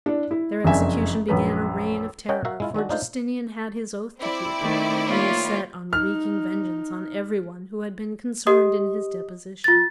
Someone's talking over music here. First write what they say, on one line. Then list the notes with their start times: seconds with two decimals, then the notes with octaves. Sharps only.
Their execution began a reign of terror, for Justinian had his oath to keep, and was set on wreaking vengeance on every one who had been concerned in his deposition.
0.06 D4 E4
0.31 E4
0.64 F#1 F2 G#3 D4 E5 G#5
1.28 A#1 F#2 B4
2.29 C#4 A#4 C#5 D#5 F#5 G5
2.45 F#4 A#4 E5 F5
2.60 G#3 E4 F4
2.74 D#3 G#3 D4 F#4
2.89 D4 D#4 F4 C5
4.20 C4 E4 D5
4.61 D#3 A3
5.06 A#3 F4 C#5
5.93 D#4 F6
8.47 G4 D#5 D#6
9.64 F4 A6